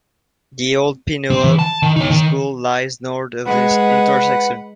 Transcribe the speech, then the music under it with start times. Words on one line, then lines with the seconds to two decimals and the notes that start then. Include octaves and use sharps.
The old Pinoak School lies north of this intersection.
1.30 C4
1.44 E3
1.59 A5
1.83 D#3
1.96 D#4 C#5
2.11 D#3
3.46 G#3 B4 F#5